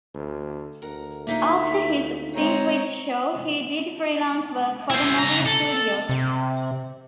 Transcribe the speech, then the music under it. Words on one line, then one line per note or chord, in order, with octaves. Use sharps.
After his stint with Shaw, he did freelance work for the movie studios.
D2
D2 A#4 F#5
A#3 D#4 F4 E5
G#3 C4 C#5 A#5
E4 C5
C#3 A#5
A4
C3